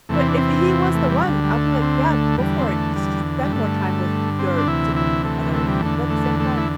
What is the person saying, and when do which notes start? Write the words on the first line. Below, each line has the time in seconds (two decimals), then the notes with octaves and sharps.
But if he was the one, I'll be like, “Yeah, go for it. You should spend more time with your significant other,” but at the same time,
0.09 E2 C3 E3 A3
0.19 C4
0.28 D4
0.37 C4
0.95 A3
1.10 G3
1.24 D2 D3
1.44 G3
1.52 A3
1.81 C4
2.10 A3
2.38 E2 D3 G3
2.59 C4
2.67 A3
2.96 G3
3.44 G3
3.52 G2 D3 A3
4.39 C4
4.58 D4
4.67 D2 C3 E3 E4
4.96 E4
5.24 A3
5.54 A3
5.68 G3
5.82 E2 D3 A3
6.10 A3
6.40 A3
6.57 E4